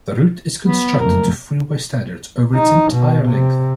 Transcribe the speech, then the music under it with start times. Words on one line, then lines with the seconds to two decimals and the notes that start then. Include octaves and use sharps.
The route is constructed to freeway standards over its entire length.
0.65 F#3 B3
1.00 F#1 F2 A3 A#4
2.55 D#4
2.93 B2
3.29 C3